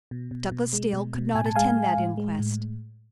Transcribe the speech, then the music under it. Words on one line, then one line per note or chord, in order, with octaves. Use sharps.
Douglas Dale could not attend that inquest.
B2
B2
B2
G#3
B2
B2
A2 G#5
A5
G#3 F5 G#5
G#3
A2
G#3
A2